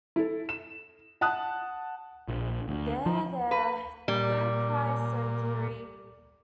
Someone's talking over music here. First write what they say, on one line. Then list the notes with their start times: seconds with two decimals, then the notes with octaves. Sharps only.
There — there — don’t cry so, dearie.
0.16 E4 A4
0.49 E7
1.21 F#5 A5 D#6 F#6
2.28 A#1
2.68 D2
3.06 F3
3.51 B4
4.08 A#2 G3